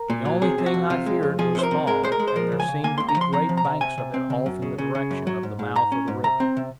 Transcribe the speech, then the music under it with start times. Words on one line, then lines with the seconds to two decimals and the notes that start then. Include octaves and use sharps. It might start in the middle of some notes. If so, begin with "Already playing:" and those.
The only thing I feared was fog, and there seemed to be great banks of it off in the direction of the mouth of the river.
Already playing: A#4
0.10 A#2
0.25 F#3
0.42 C3 G#4
0.58 C3
0.66 F#4
0.74 F2
0.90 C3 F4
1.06 G#3
1.23 F2
1.39 F3 G#4
1.55 C3 C5
1.63 A#4
1.71 C3
1.87 G#3 A#4
2.03 G#3 C5
2.12 A#4
2.20 G#3
2.28 C5
2.36 F3 A#4
2.52 C#3
2.60 G#5
2.68 C#3
2.84 A#3 G#5
2.98 C#2 C6
3.09 A#5
3.17 F3 C6
3.33 C3 A#5
3.49 F3
3.57 A#5
3.65 C3
3.81 C3 G#5
3.98 C3
4.14 C4
4.30 C#3
4.46 F#2
4.62 C#3
4.78 C#3
4.95 C#3
5.11 F#2
5.27 F#3
5.43 G#2
5.59 G#2
5.75 G#2 A#5
5.92 C#4
6.08 G#2
6.24 C3 A#5
6.40 C4
6.57 C3